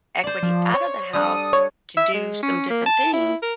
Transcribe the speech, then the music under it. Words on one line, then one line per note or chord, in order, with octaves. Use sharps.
equity out of the house to do some different things,
C5 D5
F3
C#5
G3 D4 A4 D#6
C#5
E5
G#3
C#4
A#3
A5
E4
A#4